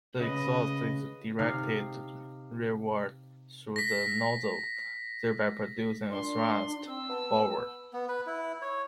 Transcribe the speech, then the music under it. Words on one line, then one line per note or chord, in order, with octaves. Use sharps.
The exhaust is directed rearward through the nozzle, thereby producing a thrust forward.
C#3 B4 D#5
C3 D#4 F5 C7
A#6 B6
A#2 D4 C6
C4 E6
B3 A5
B3
B4
E4
C#5